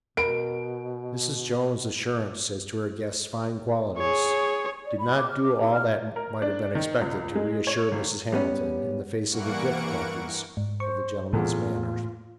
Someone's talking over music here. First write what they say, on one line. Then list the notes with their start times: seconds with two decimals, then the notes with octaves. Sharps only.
Mrs. Jones' assurance as to her guest's fine qualities did not do all that might have been expected to reassure Mrs. Hamilton in the face of the difficulties of the gentleman's manner.
0.17 B2 A#4 D7
3.98 G#4 C#5
4.87 D5
4.99 B5
5.15 D6
5.29 F6
5.42 D6
5.61 E4
5.73 F6
6.16 A#4
6.42 D4
6.75 D#3
7.02 C#2
7.35 G#3
7.67 C#5
7.92 G#1
8.32 G3 B3 C#4
9.29 G2 E3 A#3 F#5 C#6 D7
10.57 G#2
10.80 C5 C#6
11.33 E2 A2 A3 A#3 F4